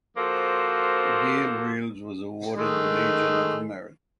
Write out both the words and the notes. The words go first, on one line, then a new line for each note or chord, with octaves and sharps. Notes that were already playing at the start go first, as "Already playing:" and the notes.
Gail Reals was awarded the Legion of Merit.
F3 A#3 F#4 A4 C5
D#3 G#3 A3